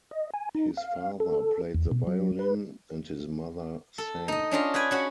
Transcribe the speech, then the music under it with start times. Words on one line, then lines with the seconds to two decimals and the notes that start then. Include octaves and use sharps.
His father played the violin, and his mother sang.
0.11 D#5
0.34 G#5
0.55 D#4
0.77 F5
1.20 A4
1.75 E2
1.91 B2
2.07 F#3
2.39 B4
3.98 A4
4.28 D#4 D#5
4.51 C#4 D4 F4 D#5
4.74 G#4 B4 G5 G#5
4.91 C#4 F#4 F#5